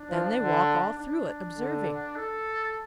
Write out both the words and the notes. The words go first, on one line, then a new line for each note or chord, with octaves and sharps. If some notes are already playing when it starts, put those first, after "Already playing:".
"Then they walk all through it, observing."
Already playing: D4
F3
D3
D4
D3
A4